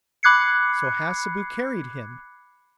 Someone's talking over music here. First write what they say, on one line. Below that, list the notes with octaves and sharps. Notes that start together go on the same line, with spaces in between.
So Hassebu carried him.
B5 D6 F#6 G#6 C7 C#7